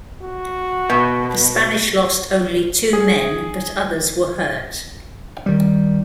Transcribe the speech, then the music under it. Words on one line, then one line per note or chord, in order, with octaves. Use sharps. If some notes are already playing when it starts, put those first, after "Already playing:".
The Spanish lost only two men but others were hurt.
F#4
B2
G#4
D#3 G3